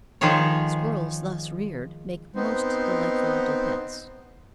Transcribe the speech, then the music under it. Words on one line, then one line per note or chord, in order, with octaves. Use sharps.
Squirrels thus reared make most delightful little pets.
D#3 F3 G#3 G#4 C#5
B3 C4 D#4 C5